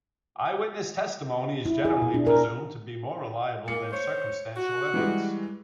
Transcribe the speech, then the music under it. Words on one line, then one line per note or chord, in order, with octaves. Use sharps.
Eyewitness testimony is generally presumed to be more reliable than circumstantial evidence.
E4
G#4
B2
D4
A#4
G#3 A#3 C#7
C5 C#5
F#4
E3 G3 G#3